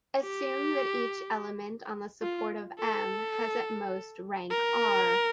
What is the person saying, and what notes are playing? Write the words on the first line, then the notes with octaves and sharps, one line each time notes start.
Assume that each element on the support of "M" has at most rank "r".
G4
F4
A4
A#4